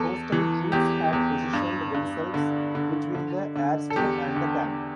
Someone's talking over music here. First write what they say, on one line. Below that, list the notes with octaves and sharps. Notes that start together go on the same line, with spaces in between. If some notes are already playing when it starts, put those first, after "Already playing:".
Hostile troops had positioned themselves between the airstrip and the camp.
Already playing: E2 A4
E3
E2 G4
E2
G2
G2
D3
D3
D3
D3
A4
E2 G4
D3